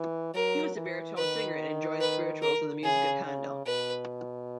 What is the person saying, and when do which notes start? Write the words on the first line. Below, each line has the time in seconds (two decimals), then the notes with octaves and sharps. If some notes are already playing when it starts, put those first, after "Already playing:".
He was a baritone singer and enjoyed spirituals and the music of Handel.
Already playing: E3
0.34 F#3 A#4
0.76 E3
1.17 D#3 B4
2.01 B4
2.42 A#4
2.83 C#3 G#4
3.25 C#3
3.66 B2 B4